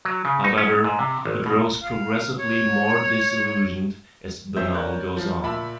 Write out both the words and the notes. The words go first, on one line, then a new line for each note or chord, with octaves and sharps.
However, he grows progressively more disillusioned as the novel goes on.
F#3
C#3
D#4
C#4
G#2
C3
G#1
B2
F5
C#5
F2 C#4 C5 E5 G6
A#4 C#5 D5 F#6
F3 F4
A#2 E5 A5 B5